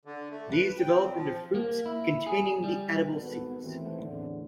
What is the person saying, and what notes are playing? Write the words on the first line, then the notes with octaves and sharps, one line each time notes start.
These develop into fruits containing the edible seeds.
D3
A3
B4
G5
C4
F3
A#3
E4
G#4
G3
G#1 B3 F#4 A4 B4
D#2 E3 A3 C4
E2 A2 D3